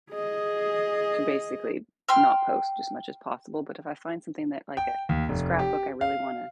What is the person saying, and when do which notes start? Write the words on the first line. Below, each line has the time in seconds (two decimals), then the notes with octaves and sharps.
to basically not post as much as possible, but if I find something that, like, a scrapbook I really wanna
0.11 G#4 D#5
2.08 G5 C6 F6
4.77 G5
5.09 D#2
5.29 F1
5.59 G4
6.01 F5